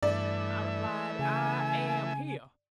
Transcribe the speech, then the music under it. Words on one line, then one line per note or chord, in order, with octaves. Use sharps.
I replied, "I am here."
G2 E3 A3 D5 E5
C#3 G#5